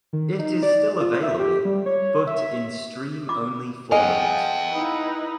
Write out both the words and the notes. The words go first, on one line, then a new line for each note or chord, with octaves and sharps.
It is still available, but in stream-only format.
D#3
D#4
D5
F4
E5
G4
G3
C#5
E5
F4 D6
B3 G#4 D#5 F5 G5 G#5
D#4 E4 B4